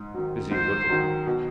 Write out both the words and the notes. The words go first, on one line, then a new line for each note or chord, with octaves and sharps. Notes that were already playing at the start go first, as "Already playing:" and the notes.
Busy looking.
Already playing: G#2
D#3 F#3
G#2 C5
D#3 F#3
B2